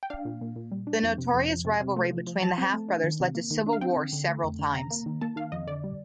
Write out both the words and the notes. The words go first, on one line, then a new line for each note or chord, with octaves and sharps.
The notorious rivalry between the half brothers led to civil war several times.
G5
D4 F5
A#2
A#2
A#2
G3
D4
F2
C3
F2
F3
C3
C3
A3
F3
F3
F3 A5
C4
A3
D4
D#3
C3
A#3
D#3
D4
F5
C4 G5
D3
D3
A3
F2
D3
C3 A#5
A#3
D#3
A#3 A5
D#3 F5
F2 D#5
D3 D5
G3